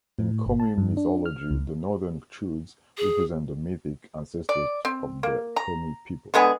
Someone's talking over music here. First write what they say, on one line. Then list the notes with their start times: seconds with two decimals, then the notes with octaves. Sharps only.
In Komi mythology, the Northern Chudes represent the mythic ancestors of the Komi people.
0.19 A2
0.46 G1
0.60 A5
0.78 G2
0.97 D4
1.26 F6
1.51 C#2
2.98 G#4
4.49 D5
4.85 C4
5.23 A#3
5.56 A#5
6.34 D3 G#3 B3 G#4